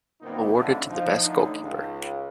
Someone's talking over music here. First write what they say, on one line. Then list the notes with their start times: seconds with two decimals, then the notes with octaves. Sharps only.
Awarded to the best goalkeeper.
0.21 F#2 A#2 D#3 B3 C4 D#4
0.52 F2 A2 D3
0.88 F3 D#4
1.25 A1 A2 D3 D#4
1.61 C#2